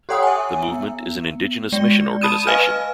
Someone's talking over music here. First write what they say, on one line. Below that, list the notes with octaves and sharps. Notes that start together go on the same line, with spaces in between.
The movement is an indigenous mission organization.
G4 A4 C#5 F#5 G5 D#6
E5 G#5
B3
G#3 D5
A5 B5 D#6 D#7 E7
B4 D#5 F5 G#5 F6